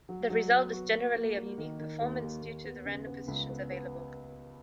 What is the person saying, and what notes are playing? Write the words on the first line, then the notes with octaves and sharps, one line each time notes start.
The result is generally a unique performance, due to the random positions available.
F#3
F#3
B3
F#4
A#3
A#3
A#3
D#3
D#3
D#2
D#2
D#2
B3
C#3
B3
C#2
B3
B3